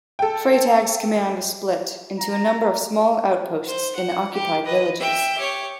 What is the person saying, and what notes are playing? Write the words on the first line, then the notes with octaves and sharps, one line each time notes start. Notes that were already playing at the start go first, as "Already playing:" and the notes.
Freytag's command was split into a number of small outposts in the occupied villages.
A4 G5
A#5
C5
F#5
G4
B4 D#5
E5 G5
G4 C#5